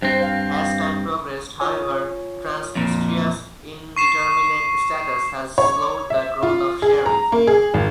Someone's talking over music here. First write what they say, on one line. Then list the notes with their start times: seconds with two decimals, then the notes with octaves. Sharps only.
As time progressed, however, Transnistria's indeterminate status has slowed the growth of Sheriff.
0.02 G2 C4 C5
0.22 F5
1.60 F4 C#5 G#5
2.75 F2 A#2
3.96 C#6 C7 E7
5.58 C#5
6.10 E5
6.43 F4
6.82 G#4
7.06 A#5
7.32 A#3
7.47 G#4
7.74 G#1